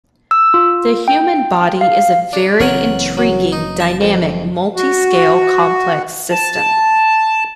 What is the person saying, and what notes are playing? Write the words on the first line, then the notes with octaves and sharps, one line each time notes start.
The human body is a very intriguing dynamic multi-scale complex system.
E6
F4
G5
F5
D4
F#1 E3 C4 A#4 C#5 F#5
F#3
D#4
E5 A5
F2
F#4
A5